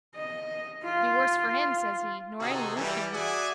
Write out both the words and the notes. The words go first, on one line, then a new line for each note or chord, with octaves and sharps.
Be worse for him, says he, nor any Rooshian.
D#5
F4
C3 D#3 D#4 F#4 G#4 A4
E3 G3
F#4 G#4 D5 E5 F#5 G#5